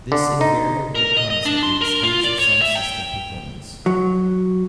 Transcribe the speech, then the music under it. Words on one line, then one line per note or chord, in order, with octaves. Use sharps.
This invariably comes at the expense of some system performance.
D3
D#4
A#4
D#5
D#5
D4
C6
A#4
F4
D5
C#5
E5
G5
F#3